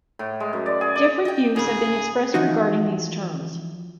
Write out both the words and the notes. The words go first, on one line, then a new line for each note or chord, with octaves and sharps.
Different views have been expressed regarding these terms.
A2
G#3
F#2
D5
G#4
D5
D#5 G5
G#2 C#3 G#4
E3 F3 D#4 F#4